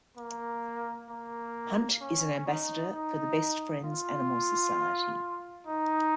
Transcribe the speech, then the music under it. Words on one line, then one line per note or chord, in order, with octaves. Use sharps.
Hunt is an ambassador for the Best Friends Animal Society.
A#3
A#3
C#4
D#4
D#4
F4
D#4